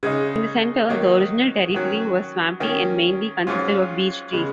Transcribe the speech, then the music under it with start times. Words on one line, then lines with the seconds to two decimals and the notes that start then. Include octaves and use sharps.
In the centre, the original territory was swampy and mainly consisted of beech trees.
0.03 C#3 G#3 D#4
0.89 D#3 F#3 A#3 D#4
1.74 D#3 F#3 C#4 F#4
2.60 D#3 A#3 C#4
3.47 G#2 F#3 C#4 F4
4.33 C#3 G#3 B3